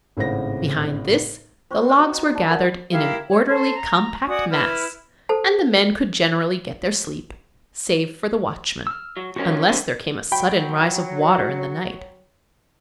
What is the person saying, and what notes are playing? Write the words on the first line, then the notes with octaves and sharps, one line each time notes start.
Behind this the logs were gathered in an orderly, compact mass and the men could generally get their sleep, save for the watchman; unless there came a sudden rise of water in the night.
G#1 A2 C#3 C5 F#5 A#6
C4 F4 C5 C#6
C5 G5
D#4 F#4
D4 B5 E6
A#4 F#5
E4 G4 A#4 F5
C#5
A4 C5
A#5
F#4 D5 G#5 D#6
E4 B4 F6
A4 C5 A5
E6 F6
F#3
D2 F3 C#4 F#4 A#4
D3 C4
F#3 G5 B5